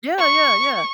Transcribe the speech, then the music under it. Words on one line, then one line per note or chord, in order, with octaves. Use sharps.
Yeah, yeah, yeah.
C#6